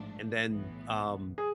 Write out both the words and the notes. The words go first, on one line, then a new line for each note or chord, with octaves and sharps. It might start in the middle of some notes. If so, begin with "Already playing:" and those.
and then, um,
Already playing: A1 G#2 F3 A3 D4
B1 A2 E3 B3
G#4